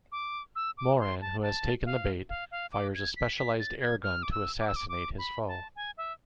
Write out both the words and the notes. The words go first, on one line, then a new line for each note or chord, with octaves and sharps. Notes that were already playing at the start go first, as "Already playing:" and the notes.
Moran, who has taken the bait, fires a specialized air-gun to assassinate his foe.
D6
E6
D6
C6
A5
A5
F5
F5
F5
D6
G#6
B6
B6
A6
G#6
F6
D6
E6
D6
E6
D6
D6
B5
A5
G#5
E5